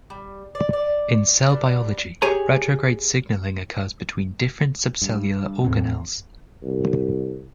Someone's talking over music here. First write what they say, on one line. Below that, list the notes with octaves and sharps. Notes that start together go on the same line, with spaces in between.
In cell biology, retrograde signaling occurs between different subcellular organelles.
G3
D5
D5
G3 D4 B4
G4 G#4 C#5 G#5 A#5
G2
E2 A2 C4
C2